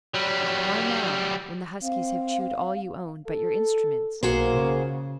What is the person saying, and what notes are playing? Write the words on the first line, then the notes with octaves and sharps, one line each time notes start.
'Why, now, when the huskies have chewed all you own but your instruments?
F#3 G3
C4 F5
A4
B1 A#3 F#4 G#4 C5
C#3